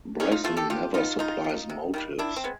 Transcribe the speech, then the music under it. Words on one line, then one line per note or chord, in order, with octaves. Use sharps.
Bresson never supplies motives.
C3 C#4 D#4
D#4 F4
E3 A3 F4 G4
G4 A4
D3 F4 G4
G3 B3 D#4 F4
C#3 D#4 F4
F3 A#3
C3
D#3 G3 A#3
D#3 D4 E4
C4
G#3 B3